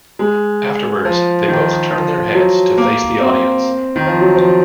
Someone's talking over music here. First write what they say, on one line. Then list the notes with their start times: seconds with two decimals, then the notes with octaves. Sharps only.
Afterwards, they both turn their heads to face the audience.
0.19 G#3
1.05 F3
1.48 D#3
1.91 F3
2.34 F#3
2.78 A#3
3.21 C4
3.96 D#3
4.06 F3
4.21 F#3
4.36 F3